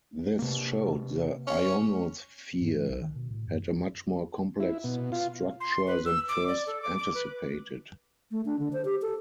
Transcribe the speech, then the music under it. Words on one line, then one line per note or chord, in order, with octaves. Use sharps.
This showed the ionosphere had a much more complex structure than first anticipated.
C3 A#3
C#4
G#2
E3
B1
D#3
B2
A2
F#2
E4
B2
F4
C6
B4
E6
D6
D5
A4
D6
D6
B4
A3
D4
D3
C5
G4
A4